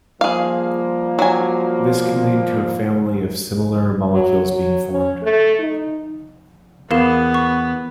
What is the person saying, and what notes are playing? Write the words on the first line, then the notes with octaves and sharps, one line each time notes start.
This can lead to a family of similar molecules being formed.
F3 G3 A#3 G#4 F5
F#3 G#5
F#3
F#3
C#4
A3
D#4
E2 B3 A#4 F5 E7
C#6